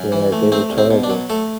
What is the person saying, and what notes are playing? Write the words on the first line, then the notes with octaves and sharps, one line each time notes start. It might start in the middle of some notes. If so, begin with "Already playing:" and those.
Right. They were terrible.
Already playing: F#2
E3
A3
A3 C4
C2
C4
B2
D4
F#3
A3 A4